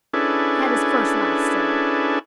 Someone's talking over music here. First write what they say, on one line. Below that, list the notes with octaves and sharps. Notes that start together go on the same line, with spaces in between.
He had his first laugh still.
C#4 D4 E4 G#4 A4 B4